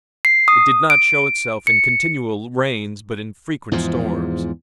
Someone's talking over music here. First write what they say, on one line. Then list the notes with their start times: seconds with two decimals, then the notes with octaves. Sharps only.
It did not show itself in continual rains, but in frequent storms.
0.25 C7
0.48 D#6
0.90 D7
1.67 C#7
3.72 E2 G#2 F3